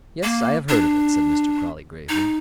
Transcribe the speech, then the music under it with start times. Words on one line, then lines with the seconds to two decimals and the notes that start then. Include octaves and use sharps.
"Yes; I have heard of it," said Mr. Crawley, gravely.
0.23 A#3
0.69 D4
2.09 D#4